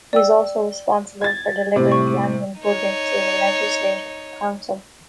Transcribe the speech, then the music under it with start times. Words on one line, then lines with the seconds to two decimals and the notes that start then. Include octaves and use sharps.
He is also responsible for delivering the annual budget to the Legislative Council.
0.13 D5 G5 E6
1.21 G#6 A6
1.76 A2 C3
1.92 C#6
2.61 D#4 C#5